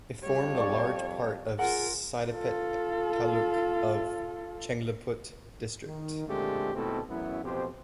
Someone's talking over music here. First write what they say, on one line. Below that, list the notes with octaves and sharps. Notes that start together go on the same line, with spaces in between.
It formed a part of Saidapet taluk of Chengleput district.
F2 G3 C#5
D5 C#6
F4 G#4 A#4 F#5
F4 A4
D#3
A#2 D3 G#3 A3 C4 G4
G#1 B2 A3 C4 E4 A4
A1 F#2 F#3 B3 E4
A1 F2 B2 G4 C5